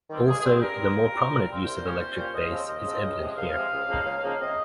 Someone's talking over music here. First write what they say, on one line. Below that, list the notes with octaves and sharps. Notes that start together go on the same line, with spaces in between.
Also, the more prominent use of electric bass is evident here.
D#3 G3 C4
G2 G#4
G#4
G3 C4
G2 A#4
G3 C4
A#2
G3 C4 F4
A#2
G3 C4 F4
C2 C5
A#2 G3 C#4 F4
C2
A#2 G3 C#4 F4
D#2 D#5
C#3 F3 C4 F4
D#2 D#5
C#3 F3 C4 F4
C#2
C3 F3 G#3
C#2 F5
C3 F3 G#3
C#2
C#3 F3 A#3 D#4
C#2
C#3 F3 A#3 D#4
C3 D#5